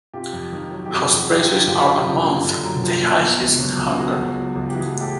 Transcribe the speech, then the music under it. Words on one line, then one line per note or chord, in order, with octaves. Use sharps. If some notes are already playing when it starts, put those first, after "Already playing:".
House prices are amongst the highest in Hungary.
C3 F4 G4
F2
D#3
F#3
G4
C3 F#4 G#4
F2 G4
F#4
D#3
F4 G4
F#3
D3 F4 G4
F#2
F3
A#3
D3
F#2
F3
A#3
B2
C#2
F#3
C#2
B2 F#4 G#4
C#2
F#3
C#2
G4
E3 F#4 G#4
A2
G4 A4